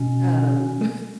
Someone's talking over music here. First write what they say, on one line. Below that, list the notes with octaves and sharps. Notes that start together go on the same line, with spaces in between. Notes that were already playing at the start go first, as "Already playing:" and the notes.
Um, bu
Already playing: B2 C#4